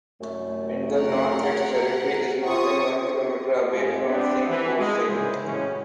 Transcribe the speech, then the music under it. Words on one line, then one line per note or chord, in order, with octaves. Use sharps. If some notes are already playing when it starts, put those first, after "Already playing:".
In the North, its territory is more than one kilometer away from Sainte-Orse.
C2 F#2 A3
A#4 F#5
C4 F4 C#6 D#6
G#2 G#3 A3 C4 F4
B3 C4 D4
E3
G#3
C2 G#2 C#3 E4 G#4 C5
A2 C#3 E3 G#3 C#4 F#4